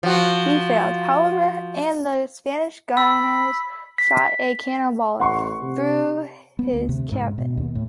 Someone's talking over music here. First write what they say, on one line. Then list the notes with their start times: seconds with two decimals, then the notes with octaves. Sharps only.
He failed, however, and the Spanish gunners shot a cannonball through his cabin.
0.03 F3 F#4
2.97 B5 E6
3.98 B6
5.20 A1 F#5 C6 C#6
5.62 C3
6.59 B3
6.73 D2
6.89 C3
7.12 G#2
7.38 B2
7.57 D#2
7.75 A2